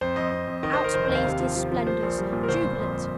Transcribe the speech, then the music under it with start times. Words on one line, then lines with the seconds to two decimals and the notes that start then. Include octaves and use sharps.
Out blazed his splendors--jubilant.
0.01 F2 C5
0.16 F2 D#5
0.32 F2
0.47 F2
0.63 D#3 D#5
0.73 D#3 C5
0.84 A#4
0.94 F1 C5
1.05 D#2 C5
1.15 F5
1.25 C3
1.40 F3
1.56 F3
1.72 F3
1.87 A#3 C5
2.03 A#1
2.18 G3
2.33 A#2
2.43 A#4
2.48 G1 C5
2.64 G1
2.79 F2